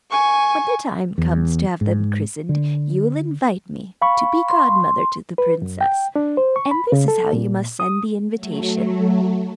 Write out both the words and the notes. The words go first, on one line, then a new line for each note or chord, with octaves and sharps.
When the time comes to have them christened you will invite me to be godmother to the princess, and this is how you must send the invitation.
G#5 C#6
E2
G#2
D3
F5 B5 C#6
C6
B4
F#2
G5
D4
C5
C#6
B5
C#3
A4
A#2
D#6
F#3 A3